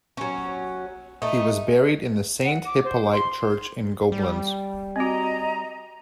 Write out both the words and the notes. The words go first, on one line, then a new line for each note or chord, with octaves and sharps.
He was buried in the Saint Hippolyte church in Gobelins.
F#3 C#4
A3 D#4
F#5
D6
C5
C6
G3
C4 F#4 D#5 A#5